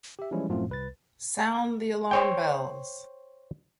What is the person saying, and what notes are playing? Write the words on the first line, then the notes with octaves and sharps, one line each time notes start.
Sound the alarm bells!
G4 E5
E3 F3 G3 G#3 C#4 E4
F#2 A2 F3 A3 C4 F4
C2 B4 A6
C5 C#5 G5